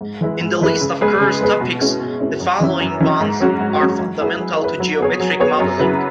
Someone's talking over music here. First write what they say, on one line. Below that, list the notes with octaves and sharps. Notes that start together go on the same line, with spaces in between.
In the list of curves topics, the following ones are fundamental to geometric modelling.
G#2
E3 G#3 E4 B4
G#2
E3 G#3 E4 B4
C#3
G#3 B3 G#4 B4
C#3
G#3 B3 G#4 B4
B2
G#3 C#4 E4
B2
G#3 C#4 E4
F#2
E3 C#4 E4
F#2
E3 C#4 E4
G#2
F#3 C#4 F#4
G#2
F#3 C#4 F#4
F#3
E4 G#4 B4
F#3
E4 G#4 B4
F#3
B3 G#4 C#5
F#3
B3 G#4 C#5
F#2
C#3 F#3 E4 B4